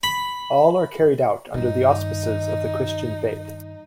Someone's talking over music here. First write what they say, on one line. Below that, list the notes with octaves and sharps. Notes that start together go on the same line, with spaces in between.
All are carried out under the auspices of the Christian faith.
B5
G2 D#3 D#4